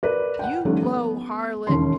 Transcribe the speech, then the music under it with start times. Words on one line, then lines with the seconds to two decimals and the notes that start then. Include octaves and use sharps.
"You low harlot!"
0.03 A#4 B4 D5
0.39 F#5 G5
0.65 D#3 F3 G3 A3 C#4
0.82 B3
1.67 E1 D#2 C#4 C6